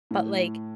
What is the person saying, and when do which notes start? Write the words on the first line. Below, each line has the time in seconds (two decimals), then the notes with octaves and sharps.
But like
0.11 A2